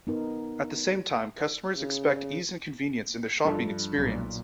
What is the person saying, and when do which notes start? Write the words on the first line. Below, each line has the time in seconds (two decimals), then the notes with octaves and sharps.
At the same time, customers expect ease and convenience in their shopping experience.
0.07 B3 D#4 A#4 B4
1.70 C#3
3.45 G2 F3 D4 A4
3.95 B1 A#2